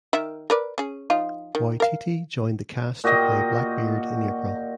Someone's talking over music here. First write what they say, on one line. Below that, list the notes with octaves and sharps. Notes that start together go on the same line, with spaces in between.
Waititi joined the cast to play Blackbeard in April.
D#3 A#4 E5
A#4 B4 D5
C#4 G#4
F3 D#4 F4
D#3
A#4 F5
A#2 F#4 G4 D#5